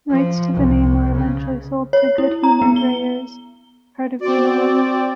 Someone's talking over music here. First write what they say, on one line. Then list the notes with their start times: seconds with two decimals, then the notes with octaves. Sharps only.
Rights to the name were eventually sold to Good Humor-Breyers, part of Unilever.
0.10 F3
0.54 C2
1.16 C#3
1.93 C#5
2.18 E4
2.44 A#5
2.62 B3
2.76 G7
4.21 C4 F#4 D5